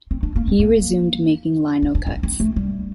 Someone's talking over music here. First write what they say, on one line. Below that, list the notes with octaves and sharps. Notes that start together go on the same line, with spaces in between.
He resumed making lino-cuts.
C4
D4
A#3
C4
A#3
C4
D4
C4
C4
A3
G3